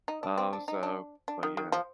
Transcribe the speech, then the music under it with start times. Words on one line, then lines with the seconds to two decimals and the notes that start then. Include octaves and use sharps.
Um, so but yeah.
0.08 D#4
0.23 D4
0.38 C4
0.53 D4
0.68 D#4
0.83 D4
1.28 D4
1.43 D#3
1.57 D#3
1.72 F3